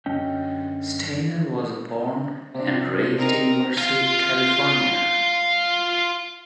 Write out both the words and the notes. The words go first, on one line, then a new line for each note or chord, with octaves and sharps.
Stayner was born and raised in Merced, California.
F#2 D3 C#4 D#5 G5
C3 D4
C4 D#4 A#4
F4 F5